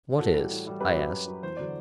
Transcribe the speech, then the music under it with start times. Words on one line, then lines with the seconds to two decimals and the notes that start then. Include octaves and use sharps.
"What is?" I asked.
0.19 A2 F#4 A4
0.34 E3 G3
0.50 A2
0.66 E3 G3
0.81 F#2 G4 B4
0.96 F#3
1.12 F#2
1.27 F#3
1.43 E2 C5
1.57 D3 F#3 D5